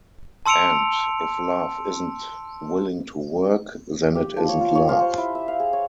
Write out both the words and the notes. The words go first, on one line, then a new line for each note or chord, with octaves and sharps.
And if love isn't willing to work, then it isn't love.
A5 C6 E6 C#7 D7 F7
G4
F3
C#5
F4
C#5
F4
C5
E4
E5
F5
G#4
C#5